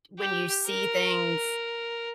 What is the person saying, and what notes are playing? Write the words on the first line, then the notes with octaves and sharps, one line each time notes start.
when you see things
G4
A#4